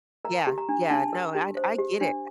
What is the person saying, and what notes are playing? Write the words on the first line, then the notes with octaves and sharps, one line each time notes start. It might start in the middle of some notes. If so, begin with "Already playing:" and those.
Yeah, yeah, no, I d I get it,
A#4 A#5
G4
A#5
D4
D4 A5
A#4
G4
C5
G4
D4